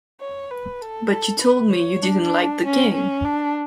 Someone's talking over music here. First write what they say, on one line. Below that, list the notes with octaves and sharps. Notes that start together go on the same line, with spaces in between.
But you told me you didn't like the game.
C#5
B4
A4
A4
B4
C#5
D4
C#4
C#4
D4